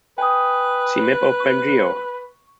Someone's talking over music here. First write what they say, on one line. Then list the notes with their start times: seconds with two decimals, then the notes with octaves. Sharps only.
See map of Bengeo.
0.18 B4 G5 G#5 D#6
1.40 C#6